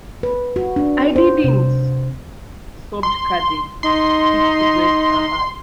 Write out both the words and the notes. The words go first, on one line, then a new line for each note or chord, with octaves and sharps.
'I didn’t!’ sobbed Cathy, fit to break her heart.
B4
F#4
D4
C5
C3
C6
D#4 C6